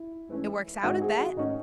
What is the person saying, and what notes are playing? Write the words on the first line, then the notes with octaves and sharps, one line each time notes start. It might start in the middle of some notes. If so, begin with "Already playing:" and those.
"It works out at that."
Already playing: E4
G#2 E3 A3 C#4
G#2 D#3 G#3 C4 E4 F#4
G#4
F#4
G#2 D#3 A3 C#4 D#4 F#4